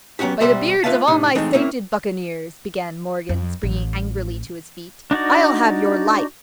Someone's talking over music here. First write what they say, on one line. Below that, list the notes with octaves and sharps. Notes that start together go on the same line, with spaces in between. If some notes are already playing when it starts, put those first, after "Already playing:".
"By the beards of all my sainted Buccaneers," began Morgan, springing angrily to his feet, "I'll have your life!"
F#3 B3 C#4 F#4 G4
C2 B2 G3 C5 E5 C6
A3 F4 B4 E5 F5 A5
A2 C3 D#4
E3 G#3 A3 C4 D#4
A#3 C4 C#4 E4
F2
A1
D4 D#4 F#4 D5